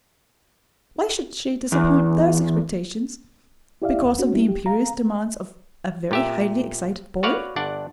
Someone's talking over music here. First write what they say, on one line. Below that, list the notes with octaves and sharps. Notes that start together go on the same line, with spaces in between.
Why should she disappoint those expectations because of the imperious demands of a very highly excited boy?
E2
E4 G4 D5 E5 F5
D#2
B3 C#4 F#4
G3 D4 E4 G4
G4
F5 A#5
A#2 G4 E5
F#4 B4 C#5 D5 F5 F#5
G1 D4 D5 F#5